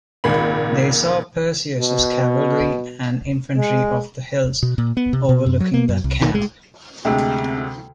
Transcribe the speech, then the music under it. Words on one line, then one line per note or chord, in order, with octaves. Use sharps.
They saw Perseus' cavalry and infantry of the hills overlooking the camp.
G#1 C#2 A#2 B5
B2
G#3
B2
A#2
B3
C3
B2
F#2
F#3
A#3
F#2
C2
D#3
G#3
D2 C3 G#3